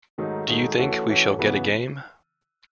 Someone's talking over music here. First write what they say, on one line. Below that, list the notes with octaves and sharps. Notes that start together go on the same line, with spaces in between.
Do you think we shall get a game?
G#2 D#3 F#3 A3 D#4
G#2 D#3 F#3 A3 D#4
E3 A3 C#4 F#4
E3 A3 C#4 F#4
C#3 E3 B3 F#4